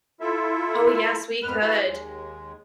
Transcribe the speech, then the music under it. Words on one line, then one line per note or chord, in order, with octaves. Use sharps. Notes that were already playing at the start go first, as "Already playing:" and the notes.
Oh, yes, we could.
E4 F4 A4 E5
F2 G#2 B3 B4 F6
E4 F#4 G#4 B4 E5 F5
D#2 G#3